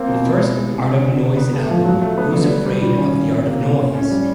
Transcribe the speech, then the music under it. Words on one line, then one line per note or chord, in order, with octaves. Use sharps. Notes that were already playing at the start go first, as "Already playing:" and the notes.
The first Art of Noise album, Who's Afraid of the Art of Noise?
Already playing: A#3 C4
B2
E4
B3
G#3
C3
D3
D3
B3
B3
A3
F3
F#3
A3
B3
D3
G3
G3
D#3
C#4
C#3
C4
A#3
C#4
A2
C#4
G3